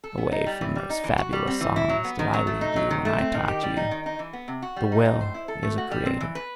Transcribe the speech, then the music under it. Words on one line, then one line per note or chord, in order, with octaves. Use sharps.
Away from those fabulous songs did I lead you when I taught you: "The Will is a creator."
A4
B3
D#4
G3
E3
G3
D#4
E3
F#4
G3
C4
E3
E4
F#3
B3
D#3
F#3
A3
D#4
F#3
D#3
A3
C4
D#3
G4
G3
D#4
D#3
D#4
E3
B3
C3
F#4
G3
D#4
A2
C5
E4
A4
A3
F#4
G3
C4
E3
B4